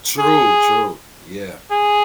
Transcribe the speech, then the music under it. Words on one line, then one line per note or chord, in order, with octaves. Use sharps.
True, true. Yeah.
G#4
G#4